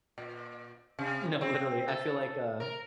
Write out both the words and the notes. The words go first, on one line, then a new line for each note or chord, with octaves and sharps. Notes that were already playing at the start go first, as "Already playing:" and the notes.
No, literally. I feel like, uh
A#2
C3
C4
A4
A#4